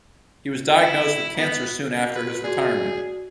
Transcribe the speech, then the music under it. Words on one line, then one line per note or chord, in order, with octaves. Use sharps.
He was diagnosed with cancer soon after his retirement.
E4
B3
A#3
B4
F#4 G#4 D5